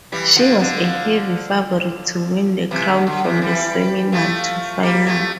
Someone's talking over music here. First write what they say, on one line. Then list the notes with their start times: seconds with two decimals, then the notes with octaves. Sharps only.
She was a heavy favorite to win the crown from the semifinal to final.
0.12 E3 G3
0.36 D3 F3
0.59 D3 F3
2.71 C3 E3
2.89 D3
3.07 D3
3.24 C3 E3
3.42 E3 G3
4.12 F3 A3
4.83 G3 A#3
5.07 F3 A3